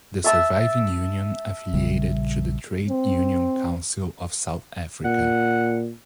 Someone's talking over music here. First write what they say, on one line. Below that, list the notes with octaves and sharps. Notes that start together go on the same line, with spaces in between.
The surviving union affiliated to the Trade Union Council of South Africa.
E5 A5 E6
A#1 C#3 G3
C4
A#2 F#5